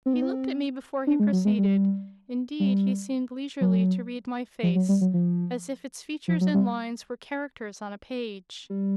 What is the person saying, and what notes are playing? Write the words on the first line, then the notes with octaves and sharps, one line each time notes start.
He looked at me before he proceeded: indeed, he seemed leisurely to read my face, as if its features and lines were characters on a page.
C4
B3
C4
D4
G#3
F#3
G#3
G3
G3
F#3
F3
F#3
G3
F#3
F3
F3
F#3
G3
G3